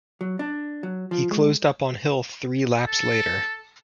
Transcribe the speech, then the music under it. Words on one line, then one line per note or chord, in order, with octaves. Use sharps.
He closed up on Hill three laps later.
F#3
D4
F#3
F3
G#3
A4